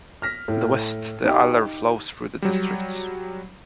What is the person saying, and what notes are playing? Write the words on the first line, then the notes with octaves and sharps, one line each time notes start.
In the west the Aller flows through the district.
F6 A#6 B6
A2
D#4 G4
F#3 G3